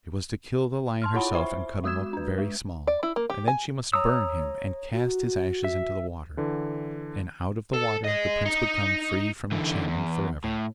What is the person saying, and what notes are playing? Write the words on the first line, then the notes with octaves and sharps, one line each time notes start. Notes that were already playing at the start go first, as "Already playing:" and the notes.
She was to kill the lion herself and cut him up very small; then she must burn him, and cast his ashes into the water, and out of the water the prince would come free from enchantment for ever.
A5 C6 F6
E4 F4 C#5 F#5 B5 C6
C5 E5 B5 C#6
G#3 F#4 D#6 E6 G#6 E7
D4 B4
G#3
D5
E4
A#3
G4
G#5
C#5 A#5 D#6 E6
F#4
E5
D3 E3
A4
G#4 D#5
D#4
D3 E3
E2
A2